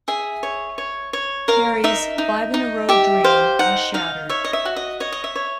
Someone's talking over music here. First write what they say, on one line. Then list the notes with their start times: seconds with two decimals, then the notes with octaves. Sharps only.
Kerry's five-in-a-row dream was shattered.
0.08 G#4 E5
0.43 C#5
0.78 C#5
1.13 C#5
1.48 A#4 F5
1.84 D#4 E5
2.18 D#4
2.54 D#4
2.89 G4 E5
3.24 C5 F5
3.59 D#4 F#5
3.94 D#4 F5
4.29 C#5 E5
4.45 D#5
4.53 E5
4.65 F#4
4.77 D#5
5.00 C#5 D#5
5.12 D#5
5.24 E5
5.36 C#5